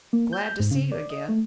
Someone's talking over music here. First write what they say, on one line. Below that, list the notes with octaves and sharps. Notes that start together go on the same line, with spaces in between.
"Glad to see you again."
A#3
G6
G#2
C#3
D5
D#5
A3